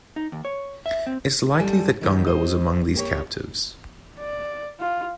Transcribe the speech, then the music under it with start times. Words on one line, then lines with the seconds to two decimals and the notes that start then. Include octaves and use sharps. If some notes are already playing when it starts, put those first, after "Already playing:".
It's likely that Ganga was among these captives.
0.16 D#4
0.32 D#2
0.45 C#5
0.86 E5
1.07 C4
1.59 F#2 G3 A4 G#5 A5
2.01 D#3 E3 F#3 C#4 G4
2.27 C5 D#5
2.95 A#3 G4 C#5
4.19 D5
4.80 F4